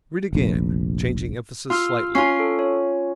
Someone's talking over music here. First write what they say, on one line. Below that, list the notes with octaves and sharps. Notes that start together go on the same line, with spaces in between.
Read again, changing emphasis slightly.
F1 A#1
F4 C6 E6 F6
C#4 F4 C7
A4
C#5